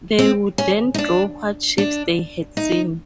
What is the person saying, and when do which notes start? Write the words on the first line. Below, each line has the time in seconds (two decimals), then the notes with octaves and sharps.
They would then draw what shapes they had seen.
0.19 C4
0.58 C#4
0.94 D#4
0.98 D4
1.78 D4
2.57 D#4